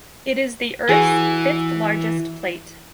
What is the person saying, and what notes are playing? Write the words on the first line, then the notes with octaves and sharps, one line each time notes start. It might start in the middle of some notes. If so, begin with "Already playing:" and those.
It is the Earth's fifth largest plate.
E3 F#4 G#4